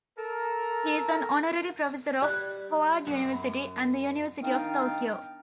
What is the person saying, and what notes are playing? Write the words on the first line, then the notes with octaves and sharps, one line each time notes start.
He is an honorary professor of Howard University and the University of Tokyo.
A4 A#4
G3 D5 F#6
F#2
B5
D#3 B3 D4 D#4 F5 G5